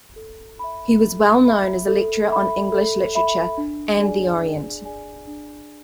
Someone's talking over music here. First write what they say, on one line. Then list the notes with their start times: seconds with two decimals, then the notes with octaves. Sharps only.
He was well known as a lecturer on English literature and the Orient.
0.16 A4
0.59 E5 B5
1.02 A4
1.44 E5 B5
1.88 A4
2.30 E5 B5
2.72 A4
3.15 E5 B5
3.58 D4
4.00 G#4 D5 G#5
4.42 D4
4.85 G#4 D5 G#5
5.27 D4